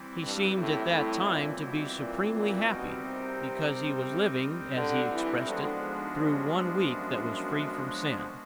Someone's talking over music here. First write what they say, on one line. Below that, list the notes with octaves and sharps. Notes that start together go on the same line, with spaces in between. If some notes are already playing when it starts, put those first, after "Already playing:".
He seemed at that time to be supremely happy, because he was living, as he expressed it, through one week that was free from sin.
Already playing: E3 G3 C4 E4
G2
A2
A2
A#2
B2
A#2
A#2
B2 G3 C4 D#4 G4 A#4
C3
D3
E3
D3 F3 G#3 B3 D4 F#4
G#2
G2
F#2